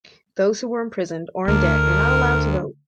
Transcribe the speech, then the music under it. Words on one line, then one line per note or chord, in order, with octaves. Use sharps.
Those who were imprisoned or in debt were not allowed to vote.
D2 A#4